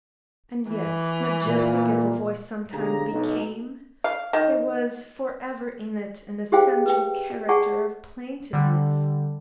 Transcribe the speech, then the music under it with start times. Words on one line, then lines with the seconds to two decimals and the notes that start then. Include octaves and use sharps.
And yet, majestic as the voice sometimes became, there was for ever in it an essential character of plaintiveness.
0.70 E3
1.46 A#2
2.72 B1 D3 G4 G#4 F5 A#5
3.12 B1 D#4
4.04 F5
4.33 D#3
6.52 G4 G#4 C5 D#5 F5 G5
6.86 B4 G5
7.49 G#4 D5 F#5 A5 C#6
8.53 D3 G3